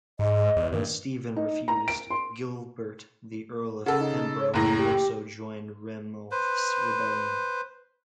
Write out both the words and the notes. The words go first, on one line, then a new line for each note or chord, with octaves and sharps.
When Stephen refused, Gilbert the Earl of Pembroke also joined Ranulph's rebellion.
G#2 D#5
E2
G2 D#3
D#4
A#5
D7
C6
C#3 A4 F#5
D#4
C#5
F#1 A2 A#5 A#6
G4
B4 C5